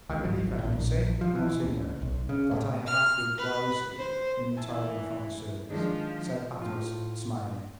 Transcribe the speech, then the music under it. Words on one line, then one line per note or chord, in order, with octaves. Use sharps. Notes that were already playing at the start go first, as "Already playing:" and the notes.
"I believe I may say, monseigneur, that I have acted wisely in retiring from the service," said Athos, smiling.
C#2
G#1
A1
A#1
F3
E3
C#2
B1
C#3
A2
F6
B4
C5
E3 G#5 A5 E6
D#3 F3 G#3 D4 F4
A2 F4